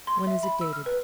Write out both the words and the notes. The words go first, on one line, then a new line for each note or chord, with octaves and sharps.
When is it dated?
C6
E5
B5
E6
F6
B4